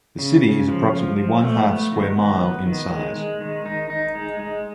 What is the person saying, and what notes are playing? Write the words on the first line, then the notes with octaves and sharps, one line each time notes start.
The city is approximately one half square mile in size.
C#3
C#3
F3
F3
F3
A3
B3
D#3
B3
B3
D#3
G#3
G#3
D#3
D#4
D#4
G#3
G#3